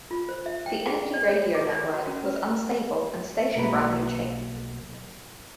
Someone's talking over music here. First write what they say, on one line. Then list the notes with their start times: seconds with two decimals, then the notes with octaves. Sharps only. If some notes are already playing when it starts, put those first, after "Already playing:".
The Energy Radio network was unstable and station branding changed frequently.
0.11 F4
0.29 C5
0.46 E5
0.66 G5
0.86 G#4
1.14 D5
1.28 C#5
1.55 D6
1.70 D5
1.93 F#4
2.07 C#4
2.26 B4
3.56 B1 A#3 F#4 B4